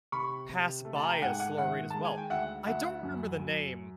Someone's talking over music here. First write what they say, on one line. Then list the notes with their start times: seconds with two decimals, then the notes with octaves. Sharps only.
pass by a slower rate as well. I don't remember the name
0.12 C3 B5 C#6
0.49 C3
0.85 A3
0.96 A5
1.03 G#5 A#5
1.13 G5
1.22 G#2 F#5 G#5
1.40 F#5 G#5
1.57 D#3 E5 F#5
1.90 G#3 A5
2.05 G#5
2.18 G5
2.30 D2 E5 F#5
2.67 D2 E5 F#5
3.03 F#2
3.39 F#2